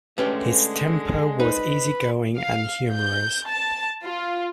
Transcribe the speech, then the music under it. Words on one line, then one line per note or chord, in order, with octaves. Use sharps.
His temper was easy-going and humorous.
D3 G#3 A3 C#4 G4 B4
D#4 B4 C5
F5
G6
A5
F4